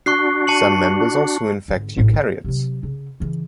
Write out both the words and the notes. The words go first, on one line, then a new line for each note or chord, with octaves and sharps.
Some members also infect eukaryotes.
D4 F#4 C#6 F#6 C7
A5 C#7 F#7
G#1 D3
A1 A2
F4
C3 F#3
C#3
C#3 E3